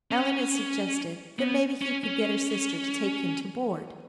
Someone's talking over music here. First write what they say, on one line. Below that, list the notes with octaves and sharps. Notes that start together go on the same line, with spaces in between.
Ellen had suggested that maybe he could get her sister to take him to board!
C#4
B3
C#4
C#4